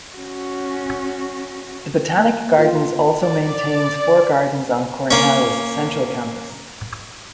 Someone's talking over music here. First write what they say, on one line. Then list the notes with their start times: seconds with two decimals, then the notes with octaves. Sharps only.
The Botanic Gardens also maintains four gardens on Cornell's central campus.
0.15 C#4 F#4
2.17 A#3
2.58 F4
3.22 D5
5.11 A#3 C#4